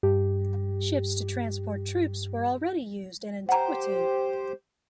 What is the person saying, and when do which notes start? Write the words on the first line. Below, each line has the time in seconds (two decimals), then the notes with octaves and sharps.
Ships to transport troops were already used in Antiquity.
0.03 G2 G4
3.49 G4 C5 F#5 A#5